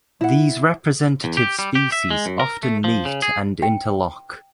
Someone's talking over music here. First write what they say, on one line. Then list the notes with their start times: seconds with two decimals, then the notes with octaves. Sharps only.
These representative species often meet and interlock.
0.21 E4 F#5
1.24 E2
1.37 G4
1.59 G3
1.75 G4
1.92 E5
2.10 G#3
2.26 F#2
2.40 A#4
2.63 A3
2.84 F3
3.05 C#3
3.22 G#4
3.62 G5